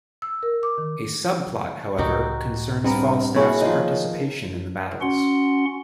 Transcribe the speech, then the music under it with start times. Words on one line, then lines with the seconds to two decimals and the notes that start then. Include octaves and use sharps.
A subplot, however, concerns Falstaff's participation in the battles.
0.22 E6
0.43 A#4
0.63 D6
0.78 D#3
1.98 C#2 A2 D#4 F#4 G4
2.84 G2 B3 C4 A#4
3.36 A#3 E4 F#4 G#4 C#5
3.61 D#3 F3
5.01 C#4 F#4 F#5 C6